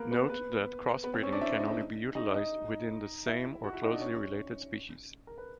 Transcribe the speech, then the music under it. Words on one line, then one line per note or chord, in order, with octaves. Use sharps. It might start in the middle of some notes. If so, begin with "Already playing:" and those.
Note that crossbreeding can only be utilized within the same or closely related species.
Already playing: A#3 B3 A#4 B4
B3 B4
B3 B4
B3 B4
C4 C5
C#4 C#5
D4 D5
E4 E5
D#4 D#5
D#4 D#5
D#4 D#5
E4 E5
E4 E5
F#4 F#5
E4 E5
D#4 D#5
D4 D5
C#4 C#5
A#4
B4